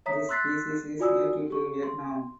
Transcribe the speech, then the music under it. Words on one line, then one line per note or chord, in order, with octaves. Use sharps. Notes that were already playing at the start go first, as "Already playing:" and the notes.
This species is native to Vietnam.
C#5 E5 A#5 D#6 B6
C6 E6 F#6 A6 B6 C7
F4 F#4 D5 G#5 D#6 E6
G4 C#6
C6